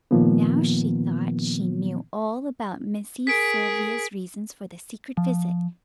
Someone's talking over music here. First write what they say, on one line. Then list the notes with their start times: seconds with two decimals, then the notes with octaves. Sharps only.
Now, she thought, she knew all about Missy Sylvia's reasons for the secret visit.
0.11 A#2 D#3 F3 A#3 B3
3.27 G#4 A#4 B6 D7
5.17 F3